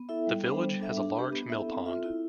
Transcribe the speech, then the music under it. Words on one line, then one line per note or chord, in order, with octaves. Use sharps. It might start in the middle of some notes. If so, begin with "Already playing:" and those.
The village has a large mill pond.
Already playing: B3
E4 A4 E5
G3
B3 D4 A4 C5
G3
B3 D4 A4 E5
D4
G4 B4
B3
E4 A4 E5
C4
F4 A4 E5
E4